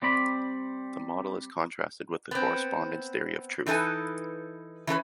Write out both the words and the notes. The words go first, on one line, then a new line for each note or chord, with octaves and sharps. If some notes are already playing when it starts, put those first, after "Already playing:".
The model is contrasted with the correspondence theory of truth.
G3 C4 D5 B5
B3 C4
E3 D#4 A4 B4 G#5
E3 C#4 A#4 B4